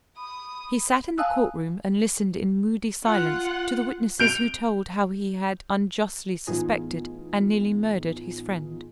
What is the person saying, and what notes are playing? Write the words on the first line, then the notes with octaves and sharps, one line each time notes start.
He sat in the court-room and listened in moody silence to the witnesses who told how he had unjustly suspected and nearly murdered his friend.
B5 D#6
F5 G#5 A5 D#6 E6 F#6
F4 F#5
G6 D7 F7
A2 E3 B3 D#4 F4 G#4